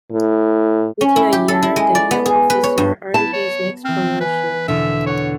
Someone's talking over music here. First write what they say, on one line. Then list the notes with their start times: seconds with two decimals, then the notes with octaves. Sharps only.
Within a year the young officer earned his next promotion.
0.12 A2
1.01 C#4
1.16 E4
1.33 G4
1.48 A4
1.63 E4
1.76 G#3
1.95 D5
2.11 B3
2.26 G#4
2.50 B4
2.64 C#5
2.78 G2
3.14 B3 E4 A5
3.33 C#5
3.85 E3 C4 F6
4.21 B4 G#5
4.68 E2 B2 D3 E5
5.06 C#5 F#5 C#6